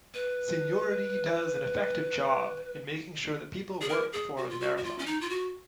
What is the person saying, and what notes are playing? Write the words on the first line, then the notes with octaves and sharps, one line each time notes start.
Seniority does an effective job in making sure that people work for the "marathon".
B4
G#4
A#4
G#4
F#4
F4
F#4
F#4
F4
C#4
D#4
F4
F#4